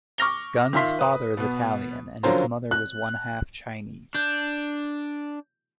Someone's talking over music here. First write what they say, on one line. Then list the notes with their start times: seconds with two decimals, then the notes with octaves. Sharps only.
Gunn's father is Italian and his mother was one-half Chinese.
0.18 C#6 D6 F6 A#6 F7 G7
0.73 D#3 F4 E5 C6 B6
0.99 B4 D#6
1.37 B2 B3
2.23 D3 F3 F#3 C#4 A#4 C5
2.71 F#6
4.15 D4 G6